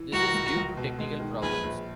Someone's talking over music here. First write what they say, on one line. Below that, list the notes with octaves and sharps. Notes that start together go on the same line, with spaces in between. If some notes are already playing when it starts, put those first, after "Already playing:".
This is due to technical problems.
Already playing: E3
C#2 F#4 A#4
C#2
C#2
B2
G#3
D#3
A#1 G#4 B4
A#1